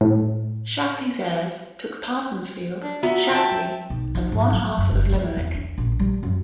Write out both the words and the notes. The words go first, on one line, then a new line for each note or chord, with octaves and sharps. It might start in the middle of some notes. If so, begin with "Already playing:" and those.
Shapleigh's heirs took Parsonsfield, Shapleigh and one half of Limerick.
A2
D4
B3 F4 F#4 E5 A#5
G5 A5
B1
D#3
G#2
F#3
F#2
F#1
A3
E2
D4
A#1
G3
F#2